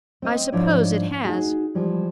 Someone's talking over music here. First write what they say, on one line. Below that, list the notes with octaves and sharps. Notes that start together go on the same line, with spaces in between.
I suppose it has.
C4 D#5
G#2 F3 D4 E4 C#5 D5
D#4 F#4 G#4
E3 F3 G3 G#3